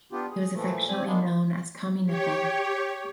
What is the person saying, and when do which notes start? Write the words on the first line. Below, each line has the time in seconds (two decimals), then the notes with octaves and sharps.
He was affectionately known as Tommy Nicol.
0.12 B3 D4 F4 G4
0.31 G#4
0.53 A#2 E3 F3 A3
0.89 C4 G4 D5 G#5
1.06 G#3 A#3 B3 D4
2.06 G4 C#5